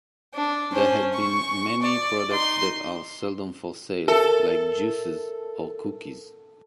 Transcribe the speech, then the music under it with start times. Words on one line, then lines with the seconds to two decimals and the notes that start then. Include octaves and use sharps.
There had been many products that are seldom for sale, like juices or cookies.
0.34 D4
0.73 C#4 C5
1.13 C#6
1.82 D5
2.30 D#4 C6
4.08 A4 A#4 E5